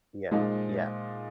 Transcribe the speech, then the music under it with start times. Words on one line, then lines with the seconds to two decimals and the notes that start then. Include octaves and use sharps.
Yeah. Yeah.
0.31 A#2 F3 G#3 D#4